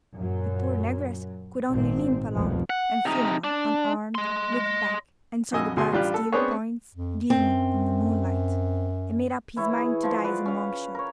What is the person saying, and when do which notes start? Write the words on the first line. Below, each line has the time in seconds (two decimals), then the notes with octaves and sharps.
The poor negress could only limp along, and Philammon, unarmed, looked back, and saw the bright steel points gleaming in the moonlight, and made up his mind to die as a monk should.
0.15 F#2 A#2 F#3
1.71 G#1 A#2 C4
2.32 F1 C2 F2 B2 F3
2.70 F#5
3.05 C3 D#4
3.44 D4
4.15 D#5 C6
5.52 A#1 F2 F#4 D#5 G#5 E6
5.77 D2 B2 F#4 G#4 G#5 C6
5.93 A1 G3 D4 F4 G4 F#6
6.14 A4
6.33 B3 C4 D4 G#4 B4 C#5
6.95 F2
7.30 F#2 C4
9.57 E3 E4 C#5
9.77 G#4
10.03 F3 F4
10.24 B4 D5 F5 F#5
10.45 C#4 F5
10.95 A#4 C#5